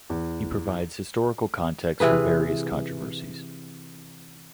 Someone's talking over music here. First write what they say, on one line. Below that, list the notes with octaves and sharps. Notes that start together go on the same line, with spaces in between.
He provides historical context for various controversies.
E2
C3 E3 G#4 B4